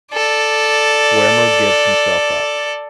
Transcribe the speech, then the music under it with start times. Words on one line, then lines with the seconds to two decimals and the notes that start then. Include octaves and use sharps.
Wermeer gives himself up.
0.13 A4 D5